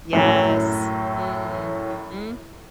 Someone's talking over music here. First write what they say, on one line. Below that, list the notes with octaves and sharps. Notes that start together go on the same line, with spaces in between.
Yes. Mm-mm hmm.
F#2 A2 F#3